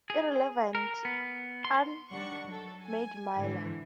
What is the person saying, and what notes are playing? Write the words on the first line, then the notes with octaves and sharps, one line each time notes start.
Irrelevant, Ahmad Miller.
G#4
A#4
B3
C6
D#3 G3 D4 F#5 C#6
F#3 A4
G#5
G#2 D3 E3